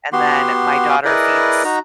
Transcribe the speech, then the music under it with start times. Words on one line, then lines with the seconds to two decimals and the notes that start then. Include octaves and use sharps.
and then my daughter feeds
0.13 B3 F#4 G4 C6
1.05 E4 G#4 A#4 B4 D5 D#5
1.64 D#4 F#4 A#5